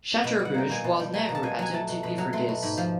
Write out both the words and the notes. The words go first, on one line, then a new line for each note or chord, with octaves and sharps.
Chaturbhuj was never attempted before this.
B2 B5
G3
F#5
A#3 G5
B2 G#5
B2 A5
G3
A#3 G#5
B2 A#5
A5
B2 G#5
F#3 G#5
A3 A5
B2
B2 B5
F#3
A3 C6
B2
G#2 B5
F3